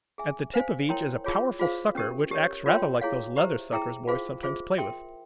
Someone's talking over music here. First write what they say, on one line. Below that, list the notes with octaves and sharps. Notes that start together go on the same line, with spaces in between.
At the tip of each is a powerful sucker, which acts rather like those leather suckers boys sometimes play with.
G#4 E5 G#5
C5 F5 G#5
E4 A#4 C#5 G5 C6
F4 G#4 C#5
F4 G#4 C5 F5
C#4 G4 A#4
G4 A#4 C#5
F4 A#4 C#5 G5 C6
E4 G#4 C#5 F5
G4 C5 E5 A#5
E4 G#4 E5 G5 A#5
F4 G#4 C5 F5
F4 G#4 C5 E5
A#4 E5 G5 C6